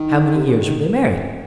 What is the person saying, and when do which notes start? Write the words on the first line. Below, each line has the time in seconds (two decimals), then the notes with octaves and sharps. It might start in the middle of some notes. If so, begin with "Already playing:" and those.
"How many years were they married?"
Already playing: D#3
0.36 C3
0.45 C#3
0.59 D#3